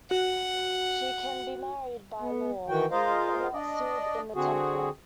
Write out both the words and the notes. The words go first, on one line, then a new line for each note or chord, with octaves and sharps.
She can be married by law, but not sealed in the temple.
F#4 F#5
B3
D#3 E3 F#4 G5
G#3 F4 A#4 C5 D#5 F5
D4 D5 D#5
D3 C4 F#4 G#4